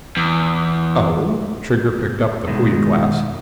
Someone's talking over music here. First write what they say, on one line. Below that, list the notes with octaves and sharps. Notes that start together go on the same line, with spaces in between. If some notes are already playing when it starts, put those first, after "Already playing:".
"Oh?" Trigger picked up the Puya glass.
E2
B2 D#3 G#3